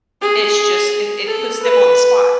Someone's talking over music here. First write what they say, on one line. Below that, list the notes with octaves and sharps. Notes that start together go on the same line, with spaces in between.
it's just it it puts them on the spot.
G#4
A4
B4